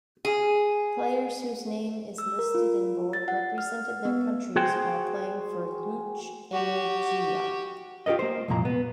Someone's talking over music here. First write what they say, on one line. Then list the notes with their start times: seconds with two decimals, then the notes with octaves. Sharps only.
Players whose name is listed in bold represented their countries while playing for Luch-Energiya.
0.25 G#4
2.18 E6
2.39 A#4
2.54 F4
3.13 A6
3.28 F#5
3.58 F6
4.05 B3
4.56 F#4 G#4 C5 G5
6.52 F#4 G4
8.06 F4 G4 A#4 B4 D#5
8.19 A#3 C5
8.48 C2 F2 A#2 A#5
8.65 B3